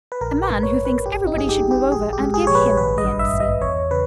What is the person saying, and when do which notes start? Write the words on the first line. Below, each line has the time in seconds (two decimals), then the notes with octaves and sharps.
A man who thinks everybody should move over and give him the end seat.
0.12 B4
0.20 A#1 A#4
0.43 B4
0.50 G#2
0.63 C#5
0.77 A#1
0.85 B4
1.06 G1 G4
1.27 D#4
1.34 G2 G#4
1.49 G4
1.63 G1
1.71 G4
1.91 A#1 G#4
2.13 G4
2.20 G#2
2.34 G#4
2.47 A#1 C#5
2.55 B4
2.77 G#1 B4
2.98 D#5
3.05 G2
3.19 E5
3.34 G#1
3.40 D#5
3.62 E2 C#5
3.91 C#3 B4